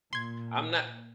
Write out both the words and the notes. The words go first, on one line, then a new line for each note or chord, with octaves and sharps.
I'm not
A#2 C6 G#6